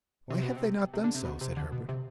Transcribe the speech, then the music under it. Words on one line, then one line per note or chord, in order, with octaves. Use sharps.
"Why have they not done so?" said Herbert.
C3
B2
C3
C3
D3
C3
B2
C3
D3
B2
C3